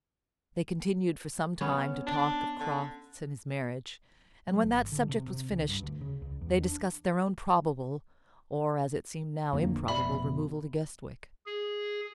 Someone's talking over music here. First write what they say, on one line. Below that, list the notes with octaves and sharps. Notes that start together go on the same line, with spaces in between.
They continued for some time to talk of Crofts and his marriage; and when that subject was finished, they discussed their own probable,--or, as it seemed now, improbable,--removal to Guestwick.
B3 C#4
D4
D3
F#3
G#1
D3
C3
C3
C#2
G2
D2
C#3
C#2
E2
D4
F2 D3 A#3
F1 B2 D5 E5 B5
G#4